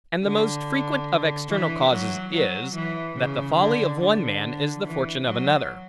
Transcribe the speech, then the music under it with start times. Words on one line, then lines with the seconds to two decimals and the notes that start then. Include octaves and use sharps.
And the most frequent of external causes is, that the folly of one man, is the fortune of another.
0.23 D3
1.49 E3
1.91 F#3
2.33 F#3
2.75 E3
3.17 C#3
3.59 D3
4.00 D3
4.84 E3
5.26 F#3